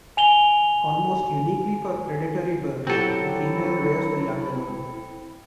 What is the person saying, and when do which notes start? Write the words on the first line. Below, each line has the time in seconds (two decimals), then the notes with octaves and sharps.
Almost uniquely for predatory birds, the female rears the young alone.
0.17 G#5 F7 G7
2.87 F#3 C4 E4 F#4 G4 A4